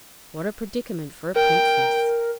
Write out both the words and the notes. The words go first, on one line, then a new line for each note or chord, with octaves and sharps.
What a predicament for a princess!
A#4 G5